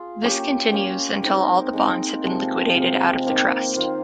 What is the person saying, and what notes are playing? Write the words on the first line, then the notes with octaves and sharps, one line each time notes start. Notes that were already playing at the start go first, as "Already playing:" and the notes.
This continues until all the bonds have been liquidated out of the trust.
Already playing: F4 G#4
A#3 C#4 G4
A#3 C#4 G4
G#3 C4 D#4 A#4
G#3 C4 D#4 A#4
C3 F3 G#3
C3 F3 G#3
D#3 A#3 F4 C5
D#3 A#3 F4 C5